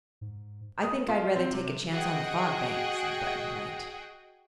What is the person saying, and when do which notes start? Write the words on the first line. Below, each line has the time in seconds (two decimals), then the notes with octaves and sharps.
"I think I'd rather take a chance on the Fog Bank," said Button-Bright.
0.21 G#2
0.83 D#6
1.09 F4
1.36 C4
1.53 C3
1.91 F#4 G#4 D#5 F#5 G5